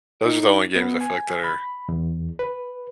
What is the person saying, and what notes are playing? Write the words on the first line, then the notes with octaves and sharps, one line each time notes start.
those are the only games I feel, like, that are
D#4
B3
G#5
B5
E2
B4